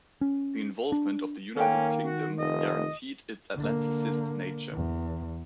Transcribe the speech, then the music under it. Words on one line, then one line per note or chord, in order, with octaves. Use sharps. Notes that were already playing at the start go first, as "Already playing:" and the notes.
The involvement of the United Kingdom guaranteed its Atlanticist nature.
C#4
D4
D#3 A#3 C#4 A4 A#4 G5
F#4
F1 D#5
D3 A#3
E2